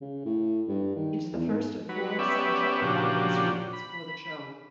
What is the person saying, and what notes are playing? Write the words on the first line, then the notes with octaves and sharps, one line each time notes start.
It is the first of four soundtrack albums released for the show.
C#3
A2
G2
D#3
E2
G#2
F#3 B4
B3 C#4 G4 B4 D5 E5
A#2 C#3 F3 D4 F#4 G4
B5